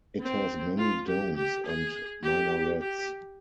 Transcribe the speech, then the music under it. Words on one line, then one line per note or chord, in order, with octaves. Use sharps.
It has many domes and minarets.
C4
F4
G4
G4
G#4
G4
G4